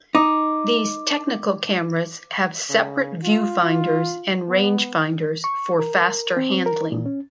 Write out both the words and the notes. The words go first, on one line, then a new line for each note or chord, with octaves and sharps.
These "technical cameras" have separate viewfinders and rangefinders for faster handling.
D#4 D6
C#3
F4
B3
C#6
A#4
C4
A#4
A#2
C#4